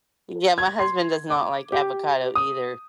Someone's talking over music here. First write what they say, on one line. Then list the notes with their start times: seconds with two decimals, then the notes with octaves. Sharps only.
Yeah, my husband does not like avocado either.
0.58 G#6
0.79 C6
1.30 D6
1.72 G4
2.35 D#6